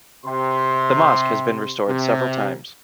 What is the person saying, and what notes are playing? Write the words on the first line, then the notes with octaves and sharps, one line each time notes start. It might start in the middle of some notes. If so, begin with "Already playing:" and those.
The mosque has been restored several times.
C3 C6
C3